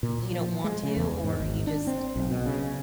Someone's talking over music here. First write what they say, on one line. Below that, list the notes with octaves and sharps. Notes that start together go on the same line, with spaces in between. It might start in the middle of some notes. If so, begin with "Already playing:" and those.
you don't want to? Or, you just
A#2
F3
G#3
C#3
E2
G#2
G#1
D4
C4
B1
B2
C#3